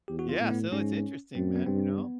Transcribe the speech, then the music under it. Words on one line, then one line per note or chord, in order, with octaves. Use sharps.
Yeah, so it's interesting, man, you know?
E2 G4
F#4
F4
A2 B3
B3
G#2 C#4
F#2 C4
B3
G2 C4
B3